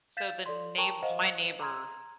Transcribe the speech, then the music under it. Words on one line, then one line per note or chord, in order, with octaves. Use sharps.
so, the neigh my neighbor
F5 G6 A6 B6 E7
A4 D5 C6
A#4 G5 A5 A#5 C#6
C5 D#5 F5 F#5
A#5 C6 G#6